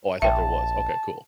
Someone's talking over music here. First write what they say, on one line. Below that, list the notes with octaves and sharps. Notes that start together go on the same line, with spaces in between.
Oh, I thought there was. Okay. Cool,
A#1 E5 G5 A5